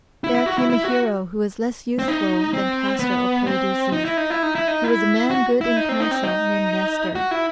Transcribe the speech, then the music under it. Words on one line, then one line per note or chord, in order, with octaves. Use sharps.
There came a hero who was less youthful than Castor or Polydeuces; he was a man good in council named Nestor.
E4
E4
F#4
E4
E4
F#4
C4
D#4
C4
B3
C4
D#4
E4
D#4
E4
D#4
E4
D#4
E4
F#4
E4
D#4
C4
D#4
C4
D#4
F#4
E4